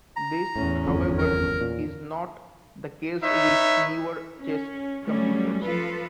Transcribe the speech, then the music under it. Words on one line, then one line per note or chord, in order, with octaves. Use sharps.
This, however, is not the case with newer chess computers.
A#5
E2 A2 C#4
G1 F2
A#4
A#2
D#4 B4 C#5 E5
C#4
F#3 G3 A3 C#4
F3 F4 A4 B4